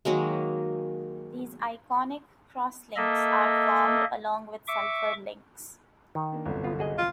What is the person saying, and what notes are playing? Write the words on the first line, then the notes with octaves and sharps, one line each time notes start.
These ionic crosslinks are formed along with sulfur links.
D#3 F#3 G#3 A#3
A#3 A4 D#5 E5
E5 C#6 D6
D#3
A#3 D4
G1 C2 F#2 D3
B3 F4
F#4 G#4 D#5
F4